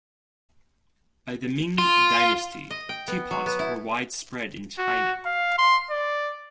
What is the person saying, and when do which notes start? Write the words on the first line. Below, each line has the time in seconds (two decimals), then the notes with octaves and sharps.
By the Ming Dynasty, teapots were widespread in China.
1.78 F4
2.71 D#5
2.89 G5
3.08 B3
3.31 F#3
3.46 B3
3.59 E4
4.78 F#4
5.26 F5
5.58 C6
5.91 D5